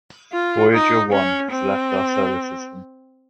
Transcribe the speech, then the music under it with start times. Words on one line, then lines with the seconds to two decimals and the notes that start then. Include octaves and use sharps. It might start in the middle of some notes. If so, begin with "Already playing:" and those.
Voyager One has left our solar system.
0.33 F4
0.73 D#4
1.12 C#4
1.51 C4